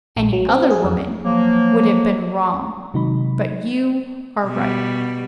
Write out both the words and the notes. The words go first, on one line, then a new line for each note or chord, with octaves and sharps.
Any other woman would have been wrong, but you are right.
A#1
F#3
C4
G#4
F2
F3 F#3 A#3
C3 D#3 F#3 G#3 D#4 B5
B2 G3 B3